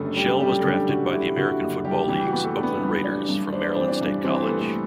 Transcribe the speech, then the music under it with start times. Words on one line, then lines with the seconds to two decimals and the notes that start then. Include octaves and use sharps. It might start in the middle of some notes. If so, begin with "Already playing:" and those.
Shell was drafted by the American Football League's Oakland Raiders from Maryland State College.
Already playing: F#1 F#2 D3 G3 A3 B3 A4
0.16 G3 G4
0.40 F#2 G3 G4
0.60 A4
0.64 D3 G3 G4
0.88 D3 F#4
1.13 G3 E4
1.37 D3 F#4
1.61 F#1
1.85 G3 G4
2.08 E3 G3 G4
2.26 F#4
2.33 B3
2.44 A3 A4
2.57 D4
2.63 B3 B4
2.81 G2
3.04 D4
3.29 G2
3.53 D4 C5
3.64 D5
3.76 E3 C4 C5
3.88 D4 D5
4.01 G2
4.25 E3 C4 C5
4.43 A3 A4
4.49 B3
4.60 A3 A4